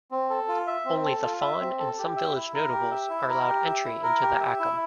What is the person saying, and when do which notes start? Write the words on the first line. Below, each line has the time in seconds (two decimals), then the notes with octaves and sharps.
Only the Fon and some village notables are allowed entry into the "Achum".
0.11 C4
0.30 A4
0.48 F4
0.67 E5
0.85 C4
1.05 A4
1.23 F4
1.41 E5
1.60 C4
1.79 A4
1.98 G4
2.16 E5
2.35 E4
2.54 A#4
2.72 G4
2.91 E5
3.10 E4
3.29 A#4
3.47 G4
3.66 E5
3.85 E4
4.03 A#4
4.22 G4
4.40 E5
4.59 E4